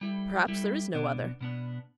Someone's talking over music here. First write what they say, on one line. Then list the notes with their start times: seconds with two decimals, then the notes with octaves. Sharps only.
Perhaps there is no other.
0.01 G3 E4 A4
0.48 G3 E4 A4
0.94 B2 B3 D4
1.41 B2 B3 D4